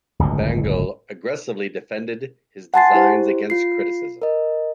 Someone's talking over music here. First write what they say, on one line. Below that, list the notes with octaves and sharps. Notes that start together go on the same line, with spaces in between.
Bangle aggressively defended his designs against criticism.
D1 G1 C#2 B2
F#5 G#5 A5 C6 A6 C7
E4 G4 C5
F4 C7
A#4 D#5